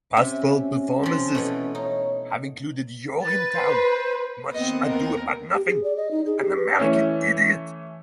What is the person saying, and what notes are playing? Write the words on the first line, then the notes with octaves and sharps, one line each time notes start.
Past fall performances have included Urinetown, Much Ado About Nothing and American Idiot.
C3 C#4 E5
F3 C4
B2 E3 A3
D#4 C#5
B4 A6
C5
D#2 B3 C4 D#5
A#4
G4
G#4
D5
D#5
D#4
G#4
G4
B4
E3 A3 C#4